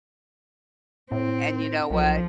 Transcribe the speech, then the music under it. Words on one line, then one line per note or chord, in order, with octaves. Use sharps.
and you know what?
A2 C4
B1 F3